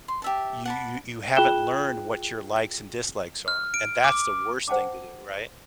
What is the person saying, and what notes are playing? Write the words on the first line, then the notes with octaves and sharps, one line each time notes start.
you you you haven't learned what your likes and dislikes are, and that's the worst thing to do, right?
C6
G4 E5 A5
F#5 A5 B5
F4 G#4 G5 F#6 E7 G7
F6
D7
D6
C5 F#5 G5 A5 D6